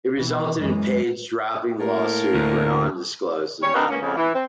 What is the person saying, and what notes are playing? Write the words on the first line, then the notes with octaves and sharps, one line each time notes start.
It resulted in Page dropping the lawsuit for an undisclosed amount of money.
B2 E3
F#2 E3 G#3
A2 A#3 A#4
D2
G3 C#4 C#5
C4 D4 D#4 A#4 B4
A#3 B3 C#4
F2 C#3
E3
C4